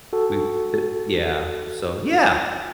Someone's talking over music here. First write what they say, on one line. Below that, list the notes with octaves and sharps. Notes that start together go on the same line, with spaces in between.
We the Yeah, so yeah.
F#4 A4